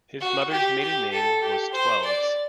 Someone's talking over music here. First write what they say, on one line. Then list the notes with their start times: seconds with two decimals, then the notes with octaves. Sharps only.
His mother's maiden name was Twelves.
0.21 F#4
0.51 G4
0.81 G4
1.12 A4
1.42 G4
1.73 C5
2.04 D5